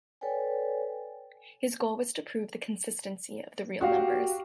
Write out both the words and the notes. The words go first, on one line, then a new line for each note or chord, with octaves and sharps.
His goal was to prove the consistency of the real numbers.
A4 B4 C#5 D5 G5 G#5
F#4 G4 F5